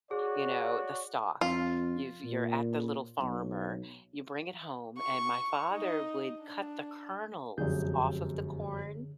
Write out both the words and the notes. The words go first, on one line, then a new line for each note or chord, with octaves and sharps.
you know, the stalk. You've you're at The Little Farmer, you bring it home, and my father would cut the kernels off of the corn,
F#4 G#4 C#5 D5
F2 F4
A#2
B1
C#6
D#4 D#5
D4
F1 F#2 D3 G#4 G6